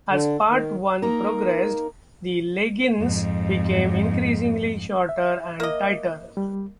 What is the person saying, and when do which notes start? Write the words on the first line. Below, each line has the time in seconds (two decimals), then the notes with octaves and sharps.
As Part One progressed, the leggings became increasingly shorter and tighter.
0.09 D3
0.49 D#3
1.02 A#3 D#4 A#4
3.00 F2 G#2
5.09 E5
5.60 A#3 D#5
6.37 G3